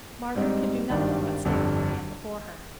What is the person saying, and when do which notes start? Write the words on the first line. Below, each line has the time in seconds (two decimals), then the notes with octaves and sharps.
Margaret could do nothing but stare at the man before her.
0.35 G#2 G3 C4 D#4
0.89 G#1 G2 D#3 G3 D4
1.45 G1 F2 D3 G3